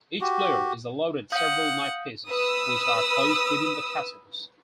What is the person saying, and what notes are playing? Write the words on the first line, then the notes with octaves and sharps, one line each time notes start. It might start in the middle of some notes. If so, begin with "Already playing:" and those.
Each player is allotted several knight pieces, which are placed within the castles.
F#4 G4
F5 F#5 D#6 G6
B4 D#6 E6